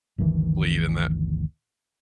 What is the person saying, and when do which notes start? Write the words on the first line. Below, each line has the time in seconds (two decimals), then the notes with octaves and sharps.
lead in that
0.18 G1 D2 D#3 E3